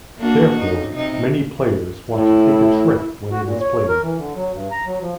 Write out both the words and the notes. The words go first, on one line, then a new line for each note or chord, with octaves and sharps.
Therefore, many players want to take a trick when it is played.
A#3 D4 F#4
F#2 D#4
C3 D#4
A2 E4
F#4
A#2
C#5
A#4
E3
D3
F#3
G2
A#5
F#3
F3